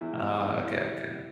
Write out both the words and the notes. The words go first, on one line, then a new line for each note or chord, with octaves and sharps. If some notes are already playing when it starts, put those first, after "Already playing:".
Oh, okay, okay.
E2 E4
G3
E2
E2
G3 E4
G3
G3
G3